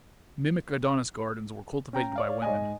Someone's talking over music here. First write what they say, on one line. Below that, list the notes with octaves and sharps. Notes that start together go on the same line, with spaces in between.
Mimic Adonis gardens were cultivated by women.
C#4 G5 A#5
C#5 D5 F5
G#2 D#5 G#5